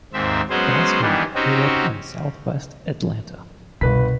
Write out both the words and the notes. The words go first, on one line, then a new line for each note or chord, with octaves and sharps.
Baskin grew up in Southwest Atlanta.
D#2 G#2 C4 E5
F#3 G#3 B3 C#4 B4 C5
D#3 E3 G3 B3 D4
C4 C#4 D#4 F#4 G4
G1 C2 B2 B4 B6